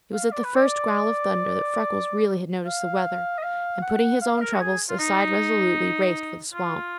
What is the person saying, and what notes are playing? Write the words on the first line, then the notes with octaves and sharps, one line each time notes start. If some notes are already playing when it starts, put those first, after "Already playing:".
It was at the first growl of thunder that Freckles really had noticed the weather, and putting his own troubles aside resolutely, raced for the swamp.
F5
D5
B4
D5
F5
D#5
F5
F#5
F5
A#4
F#4
G#4
F4
D#4
F4